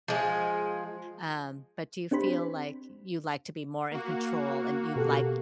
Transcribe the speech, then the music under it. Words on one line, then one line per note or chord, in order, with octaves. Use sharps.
um, but do you feel like, you like to be more in control, and you like
F3 G#3
C4 D4 G4 C5 B5
A#3 F#4
B2 G4 A4